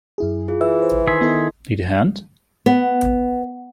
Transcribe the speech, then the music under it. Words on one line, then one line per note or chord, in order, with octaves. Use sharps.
Need a hand?
F#2 E4 G#4
F4 G#4
E3 E5 E6
C5
D#3 G#4 E5 C6 D#6
B3 E4 A4 D#5
B3